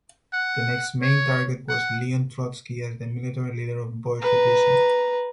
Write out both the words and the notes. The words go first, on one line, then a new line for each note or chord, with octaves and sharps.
The next main target was Leon Trotsky as the military leader of Bolshevism.
F#5
C#5
F#5
B4 A#5